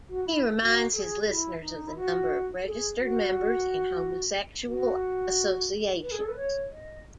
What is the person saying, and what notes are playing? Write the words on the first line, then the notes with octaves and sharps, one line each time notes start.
He reminds his listeners of the number of registered members in homosexual associations.
F#4
E4
F#4
A4
G#4
F#4
E4
D#4
E4
F#4
A4
G#4
F#4
F#4
B4
G#4
A4
B4
C#5
D#5